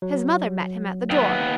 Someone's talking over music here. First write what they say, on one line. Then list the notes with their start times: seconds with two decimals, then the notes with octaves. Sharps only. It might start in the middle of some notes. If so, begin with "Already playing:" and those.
His mother met him at the door.
0.02 F#3
1.10 D#2 B3